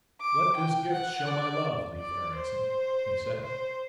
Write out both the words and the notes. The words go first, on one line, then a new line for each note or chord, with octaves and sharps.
"Let this gift show my love, Leif Ericsson," he said.
D6
G5
F#5
D5
D5
C5
C5